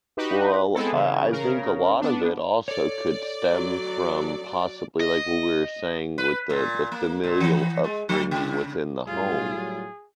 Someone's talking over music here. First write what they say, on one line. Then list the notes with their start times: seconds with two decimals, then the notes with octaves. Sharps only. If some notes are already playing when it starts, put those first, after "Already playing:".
Well, uh, I think a lot of it also could stem from, possibly, like, what we were saying with the the familial upbringing within the home,
0.17 D#4 F#4 G4 B4
0.74 G#3 B3 C4 E4 A4
0.93 C#3 E3
1.32 C#3 A#4
2.00 B3 D4
2.68 A4 C#5 D5
3.51 F#3
5.00 D#5
6.18 B4
6.50 A#2
6.92 A#3
7.24 A#2
7.41 E3
7.84 G#3
8.09 F#3
8.31 C#3
9.07 A2 F#3 G3 F4 G#4